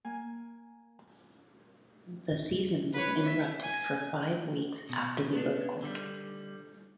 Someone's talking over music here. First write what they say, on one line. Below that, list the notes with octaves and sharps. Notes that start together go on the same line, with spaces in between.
The season was interrupted for five weeks after the earthquake.
A#3 G#5
B4 C#5
E5
G#5
B2
B3 D4
D3 G3